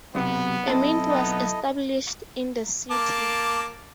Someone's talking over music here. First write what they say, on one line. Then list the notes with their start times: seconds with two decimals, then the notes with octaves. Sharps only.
A mint was established in the city.
0.15 B1 C3 B3
0.68 B1 C4 E4 A4 D#5 A5
1.08 B3 D#4
2.91 A#3 A5 D6